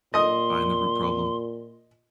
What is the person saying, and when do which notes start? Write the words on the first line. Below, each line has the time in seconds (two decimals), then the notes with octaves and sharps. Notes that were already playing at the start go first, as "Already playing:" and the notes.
find the root problem?
0.14 A#2 D#5 C6 D#6